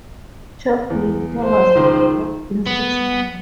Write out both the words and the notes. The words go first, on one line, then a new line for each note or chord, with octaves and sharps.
"Choplifter" was developed in six months.
E2
C5
C#2 D#3
B3